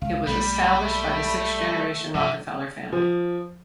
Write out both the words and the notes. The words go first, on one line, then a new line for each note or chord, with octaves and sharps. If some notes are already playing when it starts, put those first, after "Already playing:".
It was established by the six-generation Rockefeller family.
C#2 F5
B1 G3 G#3 A#3 B5
A3
G2 C3 F3 E5
F3